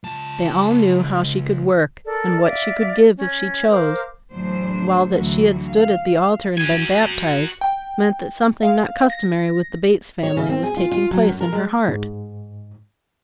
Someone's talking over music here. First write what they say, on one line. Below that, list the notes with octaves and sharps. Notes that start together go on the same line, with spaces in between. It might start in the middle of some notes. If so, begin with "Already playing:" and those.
They all knew how she could work, and what she could give if she chose; while that she had stood at the altar and been baptized, meant that something not customary with the Bates family was taking place in her heart.
C#2 A5
A4 A#4 D5
D5 E5 F5
C#4
A#4 C5 F5 D6
E2 A2 D3 F#3 D4 C5
D2 D3 E3 F#3 F#4
F5
F#4 G#5
G5
F5
A#6
C#5
C#3
C4
G#4
F4
F4
F#3
F#2
A#4
G#3
G#2